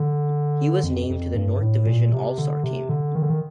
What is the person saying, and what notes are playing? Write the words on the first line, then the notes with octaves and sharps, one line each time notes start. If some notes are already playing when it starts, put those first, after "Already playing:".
He was named to the North Division All-Star team.
Already playing: D3
F2
F2
G2
A2
A#2
C3
D3
C3
D3
D#3
D3
D#3